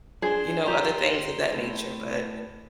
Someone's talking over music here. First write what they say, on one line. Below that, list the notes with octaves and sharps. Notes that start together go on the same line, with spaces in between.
you know, other things of that nature, but
D4 G#4 C5
G4 A#5
A2